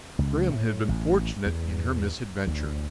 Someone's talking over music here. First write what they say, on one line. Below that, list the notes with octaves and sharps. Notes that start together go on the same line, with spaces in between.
Grim had been fortunate in her misadventure.
C#2
A2
A1
E2
D2